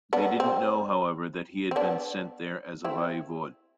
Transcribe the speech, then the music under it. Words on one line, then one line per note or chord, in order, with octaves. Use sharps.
They didn't know, however, that he had been sent there as a voivode.
B3 D4
C4
C4
B3 D4
C4 E4